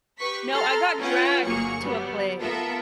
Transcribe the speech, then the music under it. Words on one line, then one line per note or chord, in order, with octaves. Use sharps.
No, I got dragged to a play.
G4 B4 C#6 B6
A4 A#5 C6 F6
C#4 F4 B4 F#5 G5
G1 F#3 A#3 G#4 C#6 C#7
F#3 G3 B3
B3 F4 A4 A#4 E5